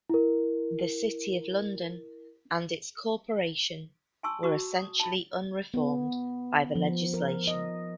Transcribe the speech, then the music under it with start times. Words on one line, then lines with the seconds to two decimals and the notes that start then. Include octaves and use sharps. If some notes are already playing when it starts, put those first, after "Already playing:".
The City of London and its corporation were essentially unreformed by the legislation.
0.10 E4 A#4
4.23 G#5 A5 C6 C#6 E6
4.43 F#4 C#6
4.76 D#6
5.00 A5 B5
5.74 B3
6.75 F3
7.14 A#4
7.47 D#5